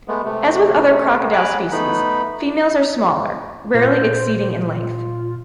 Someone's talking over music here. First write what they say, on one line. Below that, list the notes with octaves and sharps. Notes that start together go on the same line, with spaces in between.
As with other crocodile species, females are smaller; rarely exceeding in length.
G#3 A3 B3
C3 A3
G#5 A#5 B5 D6 F#6
A3 B3 D#4 B5
A#2 C5
F4